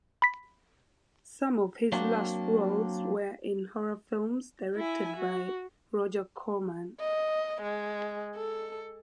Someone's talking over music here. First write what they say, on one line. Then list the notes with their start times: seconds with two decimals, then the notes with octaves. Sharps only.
Some of his last roles were in horror films directed by Roger Corman.
0.22 B5 B6
1.92 F#3 A#3 C4 D4 F#4
4.76 E4 E5 G#5
5.16 F#4
7.00 D#5
7.62 G#3
8.36 A4